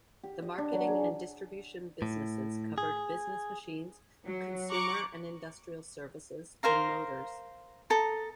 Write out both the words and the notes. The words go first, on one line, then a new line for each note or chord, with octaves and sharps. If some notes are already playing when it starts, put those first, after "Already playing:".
The marketing and distribution businesses covered business machines, consumer and industrial services, and motors.
G4
D#5
D4
F#3
G#4
A2
G#4
F#3
A#5 C#6 D6 F#6
A#4 C5 F5 A#5
A4 A#5 D#6